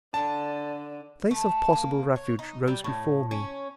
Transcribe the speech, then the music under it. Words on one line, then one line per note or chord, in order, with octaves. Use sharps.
The place of possible refuge rose before me.
D3 A5
A3
A#3
C#5
D#4
G3
A2
C#4